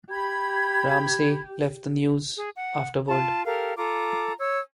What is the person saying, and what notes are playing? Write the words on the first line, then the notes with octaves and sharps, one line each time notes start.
Ramsey left the "News" afterward.
G4 B5 G#6
G#4
F#5
F4 A5
G4 A4 A#4 F5
F4 A4 A#5 D6
C#5 E6